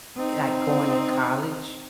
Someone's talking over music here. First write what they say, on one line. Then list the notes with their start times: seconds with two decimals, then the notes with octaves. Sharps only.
like, going to college,
0.17 C4 D#4